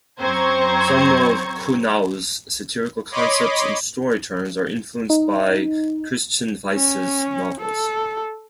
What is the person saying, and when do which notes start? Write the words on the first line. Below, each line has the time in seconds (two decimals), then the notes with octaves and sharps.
Some of Kuhnau's satirical concepts and story turns are influenced by Christian Weise's novels.
0.20 F#2 C4 C5 A#5 C#6 G#6
3.12 C#5 D#5 B5 C6 D6
5.10 D#4
6.72 C#4
7.60 A4